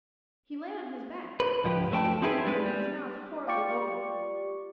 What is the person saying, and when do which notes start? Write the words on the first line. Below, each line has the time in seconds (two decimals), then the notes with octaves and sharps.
He lay on his back, his knees drawn up, and his mouth horribly open.
1.40 B4
1.64 C#2 G#2 F3 G4
1.91 F2 A3 C5 G5 A5
2.22 C4 D#4 E4 G4 G#4 B4
2.45 G3 G#3 B4
2.66 G3
3.47 F4 G4 D5 C#6